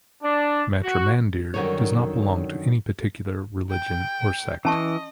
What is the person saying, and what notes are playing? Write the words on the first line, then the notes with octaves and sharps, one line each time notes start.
Matrimandir does not belong to any particular religion or sect.
D4
F#4
F#2 D3 D#3 G3 C#5
G5
E3 C#4 D#5 A5 C#6